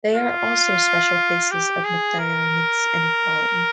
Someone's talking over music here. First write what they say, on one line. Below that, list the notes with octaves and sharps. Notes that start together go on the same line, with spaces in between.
They are also special cases of McDiarmid's inequality.
F4
G4
G#4
A#4